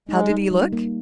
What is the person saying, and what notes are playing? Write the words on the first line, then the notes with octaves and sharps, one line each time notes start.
How did he look?
G#3 D#4
D#4
G3
A#3